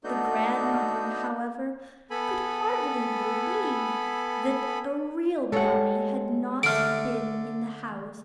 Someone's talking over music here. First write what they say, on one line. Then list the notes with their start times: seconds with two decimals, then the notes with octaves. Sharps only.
The grandmother, however, could hardly believe that a real brownie had not been in the house.
0.04 A3 B3 D4 D#4 F#4 G6
2.10 B3 A4 G#5 B5
5.52 G#3 G4 A4 C#5 F#5
6.63 D3 A3 F6 D7